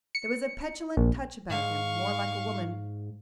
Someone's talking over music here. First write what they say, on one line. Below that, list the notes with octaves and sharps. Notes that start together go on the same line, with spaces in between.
There was a petulant touch about him--more like a woman.
C#7
A#1
G#2 F5 C#6